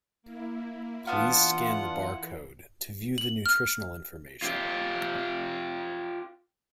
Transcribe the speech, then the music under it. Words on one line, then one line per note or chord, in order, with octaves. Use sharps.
Please scan the bar code to view the nutritional information.
A#3 E4
E3 B3 D4 F4 F5 F#5
F#7
F6
F4 G4